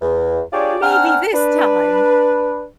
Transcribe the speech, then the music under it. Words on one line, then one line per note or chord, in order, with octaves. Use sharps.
"Maybe this time."
E2
D4 F4 G4 G#4 C#5 D5
C4 D4 F#5 G#5 A#5 F6
D4 B4